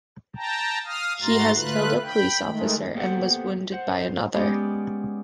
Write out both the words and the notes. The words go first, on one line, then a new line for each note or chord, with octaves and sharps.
He has killed a police officer and was wounded by another.
G5 A5 A#5
F5 D#6 F6
G#2 A3 F#4 A#5 C6 A6
D3 A3 F4 B4 F#6
G5 B5
D#3 G#3 A3
A#3 B3 G4 A4 C5 F#5
C5 F#5
C5
G#3 B3 C#4 G4 D5